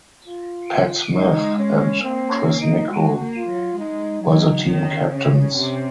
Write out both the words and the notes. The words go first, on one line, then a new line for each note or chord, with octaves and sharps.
Pat Smith and Chris Nichol were the team captains.
F4
G#3 D#4
C#4
A#3 C4
C#4
D#4
G#3 F#4
A#3
F4
F#3
G#3 D#4
F#3 D#4
D#3 C#4
C#3
C3